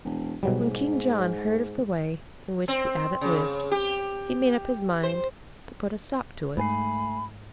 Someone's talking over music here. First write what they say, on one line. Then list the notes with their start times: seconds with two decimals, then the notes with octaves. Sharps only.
When King John heard of the way in which the abbot lived, he made up his mind to put a stop to it.
0.05 E1
0.43 G#2 B2 F#3 G3
2.68 C4
3.21 C#3
3.71 G4
5.03 C5
6.57 G#2 A3 G#5 B5 C7